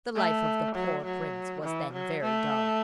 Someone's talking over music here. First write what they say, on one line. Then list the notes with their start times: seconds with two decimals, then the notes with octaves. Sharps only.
The life of the poor prince was then very dull.
0.15 A3
0.75 F#3
1.04 F#3
1.63 E3
1.93 F#3
2.23 A3